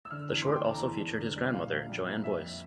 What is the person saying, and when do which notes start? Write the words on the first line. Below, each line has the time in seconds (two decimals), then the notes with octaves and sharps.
The short also featured his grandmother, Jo Ann Boyce.
0.05 E6
0.11 D3 F6
0.29 E2
0.42 C6
0.46 A3 D6
0.56 G5
0.64 E2 A5
0.74 A#5
0.82 E2 A5
1.00 F1
1.17 D3
1.36 G3
1.53 A#2 F5
1.71 A#1
1.89 G3
2.07 A#3
2.24 F2 E5